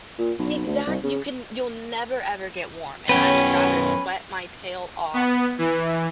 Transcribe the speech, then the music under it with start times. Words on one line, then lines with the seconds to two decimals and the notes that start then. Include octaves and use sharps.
Exact you can you'll never ever get warm. And I would rather sweat my tail off
0.18 A#2
0.39 B1
0.67 D2
0.87 C2
1.03 C#3
3.09 F#2 B3 C#4 B4 G5
5.14 B3
5.58 E3